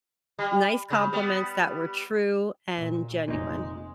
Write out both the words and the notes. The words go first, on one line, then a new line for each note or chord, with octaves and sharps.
nice compliments that were true and genuine.
G3
C#3
G3 B3
A#2
F1 A#2 G#3 D#4